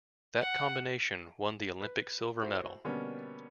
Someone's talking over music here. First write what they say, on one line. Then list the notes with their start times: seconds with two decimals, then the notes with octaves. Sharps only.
That combination won the Olympic silver medal.
0.41 F#5
1.81 B4
2.42 E4 F#4 A4 C5
2.85 B2 D3 G3 A#3 B3 C#4